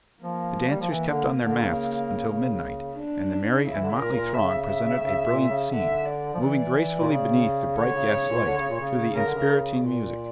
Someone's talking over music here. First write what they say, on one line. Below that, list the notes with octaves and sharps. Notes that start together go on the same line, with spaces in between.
The dancers kept on their masks until midnight, and the merry and motley throng presented a brilliant scene, moving gracefully beneath the bright gas-light to the inspiriting music.
F3 A#3
G3
F3
E3 A#3
D3
D3
C#3
C#3
D4
C#3 E4
E3
D3
C#3
A#2 A#4
C#3
A#2
C#3 E5
E5
C#3
A#2
C#3
D3 E5
D5
F3
E3
A#2
C#3
D3 C#5
C#3
C#3
A#2
D3
C#3
A#2
C#3
C#3 A#4
D3
C#3
A#2 D5